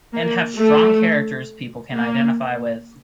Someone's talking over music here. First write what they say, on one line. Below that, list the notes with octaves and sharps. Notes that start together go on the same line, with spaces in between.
And have strong characters people can identify with.
A#3
A3
A#3